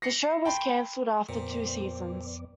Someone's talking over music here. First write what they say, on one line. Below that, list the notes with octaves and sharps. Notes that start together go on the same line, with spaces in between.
The show was cancelled after two seasons.
A#6 C7 C#7
G5 A5 B5 C6
F2 A#2 B3 C4 D5